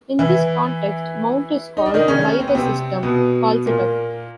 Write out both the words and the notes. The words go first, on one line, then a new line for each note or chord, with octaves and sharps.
In this context mount is called by the system call setup.
E3 E4
D#4
D4
D#3 D#4
C#3 C#4
C4
B3
C3 C4
B2 B3
A#2 A#3